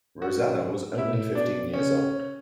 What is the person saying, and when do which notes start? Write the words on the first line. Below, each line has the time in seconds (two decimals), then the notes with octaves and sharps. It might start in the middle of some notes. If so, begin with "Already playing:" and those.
Rosanna was only fifteen years old.
0.22 F#2 F#4
0.59 G#2
0.98 A2 E4
1.35 B2 D4
1.74 C#3 C#4